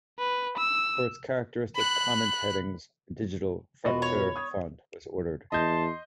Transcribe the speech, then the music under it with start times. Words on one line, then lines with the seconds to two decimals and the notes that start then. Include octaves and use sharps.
For its characteristic comment headings, a digital "Fraktur" font was ordered.
0.19 B4
0.58 E6
1.75 B5 F#6
3.85 E1 B3 F4 F#4 D#5 B5
4.02 C#5
4.36 D#6 G#6
5.52 E2 D#5 A5 C6 G6